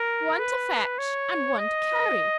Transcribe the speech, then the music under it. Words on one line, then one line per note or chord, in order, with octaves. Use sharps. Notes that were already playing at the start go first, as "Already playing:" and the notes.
One to fetch, and one to carry.'
Already playing: A#4
B4
C#5
D#5